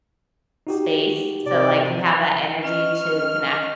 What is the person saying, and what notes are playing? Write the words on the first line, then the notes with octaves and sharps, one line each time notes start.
space, so, like, you have that energy to connect
D#4 F#4 G4
C3 C5 D5
C#4 D#5 F6